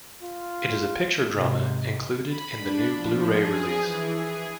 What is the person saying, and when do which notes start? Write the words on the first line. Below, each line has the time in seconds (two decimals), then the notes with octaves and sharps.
It is a picture drama included in the new Blu-ray release.
0.23 F4
1.31 G#2 C3
2.23 B5
2.57 D4
2.94 F3
3.30 G#4
3.80 E3
4.14 G#4